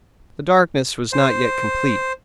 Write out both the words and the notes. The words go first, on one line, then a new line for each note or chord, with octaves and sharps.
The darkness was not yet complete.
C5